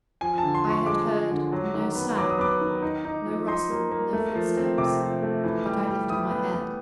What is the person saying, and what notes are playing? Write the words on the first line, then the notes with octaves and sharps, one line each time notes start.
I had heard no sound, no rustle, no footsteps--but I lifted my head.
F3 G#5
A5
D3
C6
F3 C#6
G#3 D6
F3
D3
F#3
D#3
B3
F#3 D6
D#6
B3 D6
D#3
D#4
D#4
F3
D#4 C6
A#3
A#3
A3
F3
C4
C3 D6
F3
A3
E3
G3
G3
E3 D#6
B3
B3